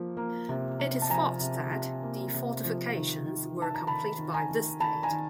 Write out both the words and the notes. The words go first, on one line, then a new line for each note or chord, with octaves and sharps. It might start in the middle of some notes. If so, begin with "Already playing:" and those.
It is thought that the fortifications were complete by this date.
Already playing: F3 A#3
A#3
C3
C3
A5
F3 G#5 A#5
C3
C3
A#3
C3
F3
D#3
D#3
D#3
A5
A#5
D#3 A5 B5
D#3
G#5 A#5
D#3
D#3 A5 B5
G#5 A#5
D#3